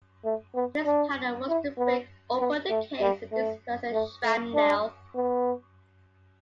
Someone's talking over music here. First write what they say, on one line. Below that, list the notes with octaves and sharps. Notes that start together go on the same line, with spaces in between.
This powder was to break open the case and disperse the shrapnel.
A3
B3
D4
E4
B3
B3
A3
G3
A3
A3
A3
D4
B3